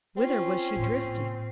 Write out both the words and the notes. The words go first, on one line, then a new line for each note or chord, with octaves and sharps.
Whither was she drifting?
C4 C#4 F4
A2 A#3